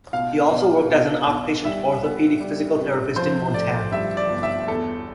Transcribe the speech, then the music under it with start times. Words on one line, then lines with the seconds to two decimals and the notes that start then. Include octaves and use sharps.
He also worked as an outpatient orthopedic physical therapist in Montana.
0.13 B2 F5
0.51 B2
0.89 B2
1.27 B1
1.65 G3 E5
2.02 B3
2.40 G3
2.79 C3
3.16 F3 C5
3.54 A3 D5
3.92 G2 E5
4.17 D5
4.30 G1
4.43 E5
4.67 E2 A4